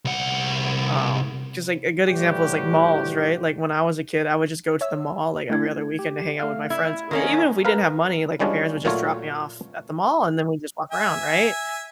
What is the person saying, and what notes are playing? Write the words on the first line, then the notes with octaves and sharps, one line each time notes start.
Um, just like, a good example is like malls, right, like, when I was a kid, I would just go to the mall, like, every other weekend to hang out with my friends, w even if we didn't have money, like, our parents would just drop me off at the mall and then we just walk around, right?
C2 F#5
A2 C3 E3 G3 F#4 G4
C#5 E5 E6
A3 D4 E4 G#6
G4
A3 F5
E4 G#6
D#3 A#3 C#4
A#4 B4 F5
E3 G3 G#3 C#4 D4 F4
A#2 F#3 A3 F4 C#5
E5 G#5